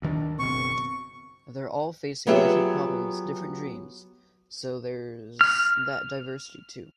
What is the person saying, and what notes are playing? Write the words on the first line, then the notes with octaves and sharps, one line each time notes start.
They're all facing different problems different dreams, so there's that diversity too.
D2 D#3 D4
F#1 B2 C4 C#6
F#3 B3 F4 G4 G#4 E5
F6